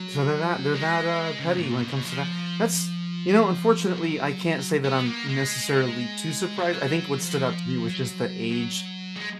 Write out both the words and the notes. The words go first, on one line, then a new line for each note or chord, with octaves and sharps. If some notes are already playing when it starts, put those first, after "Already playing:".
So, they're that they're that, uh, petty when it comes to that. That's you know, unfortunately, I can't say that I'm necessarily too surprised. I think what stood out to me was just the age
Already playing: F#3
G#3
C#3
G#2
A#2
B2
F3
F#3
B3
A#3
G#3
F#3
F3
F#3
F#3
G#3